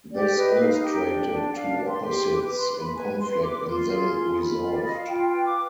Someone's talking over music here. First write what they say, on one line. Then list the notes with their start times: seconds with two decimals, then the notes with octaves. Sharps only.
This illustrated two opposites in conflict and then resolved.
0.12 G4 D5
0.35 B4 D#5
0.59 D#4 F5
0.82 G4 G5
1.06 D4
1.30 D4
1.53 D4 F5
1.77 G4
1.89 C6
2.01 G4
2.07 C6
2.25 B4 D6
2.42 D6
2.48 B4
2.60 C6
2.72 B4
2.78 B5
2.95 B4 G#5
3.19 B4 C6
3.43 B4 D6
3.66 F4 C6
3.90 G#4
4.13 F4
4.37 F4 B5
4.61 F4
4.71 D5
4.83 F4 D#5
4.96 F5
5.08 F4 G5
5.26 G5
5.32 B4
5.44 D6